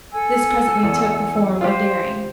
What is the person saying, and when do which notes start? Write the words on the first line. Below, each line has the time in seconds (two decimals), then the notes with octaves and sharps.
This presently took the form of "daring."
0.12 A4 G#5 E6
0.83 E2
1.61 F4 G4 C5